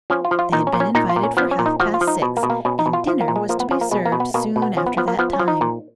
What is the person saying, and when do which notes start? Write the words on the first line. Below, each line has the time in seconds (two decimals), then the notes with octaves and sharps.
They had been invited for half-past six, and dinner was to be served soon after that time.
0.10 F3 C#4
0.25 F4
0.31 F3
0.39 F4
0.52 A#2 D#4
0.67 C#4
0.73 A#2
0.80 C#4
0.95 A#2 D#4
1.09 F4
1.16 A#2
1.23 C#4
1.37 F3 B3
1.51 C#4
1.59 A#2
1.66 D#4
1.80 F3 F#4
1.94 F4
2.01 F3
2.08 D#4
2.22 B2
2.37 A#3
2.43 B2
2.50 A#3
2.65 B2 C#4
2.79 D#4
2.86 B2
2.93 F4
3.07 F3
3.21 A#3
3.28 A#2
3.36 G#3
3.49 F3 A#3
3.60 B3
3.71 F3 C#4
3.81 A#3
3.91 B2 G#3
4.06 A#3
4.12 B2
4.20 B3
4.34 B2 A#3
4.56 B2
4.62 B3
4.77 F3 C#4
4.86 B3
4.97 F3 B3
5.08 A#3
5.19 F3 B3
5.33 C#4
5.39 F3
5.48 D#4
5.61 A#2